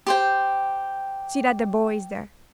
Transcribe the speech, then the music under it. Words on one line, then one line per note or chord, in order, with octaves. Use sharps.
See that the boy is there.
G4 C5 G5